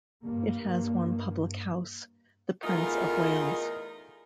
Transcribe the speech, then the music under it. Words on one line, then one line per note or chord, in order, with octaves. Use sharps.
It has one public house, the Prince of Wales.
G2 A#3
E2 A3 D#4 F4 A#4